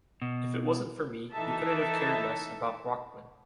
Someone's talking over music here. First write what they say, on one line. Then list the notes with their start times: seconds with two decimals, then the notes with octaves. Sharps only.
If it wasn't for me - you couldn't have cared less about Rachman.
0.22 B2
1.33 E3 D#4 A4 E5 A5